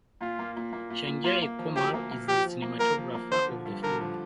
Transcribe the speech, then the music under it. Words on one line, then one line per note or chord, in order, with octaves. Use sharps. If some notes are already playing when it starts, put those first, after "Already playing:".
Shaji Kumar is the cinematographer of the film.
A#2 F4
A#3
A#2
A#3
A#2
A#2
A#3 F4
A#3
F3
D2 G4
A#3
A#3
F3 G4
F3
A#3
A#3 A#4
F3
A#3
D3 C5
F3
G2
D3 A#4
F3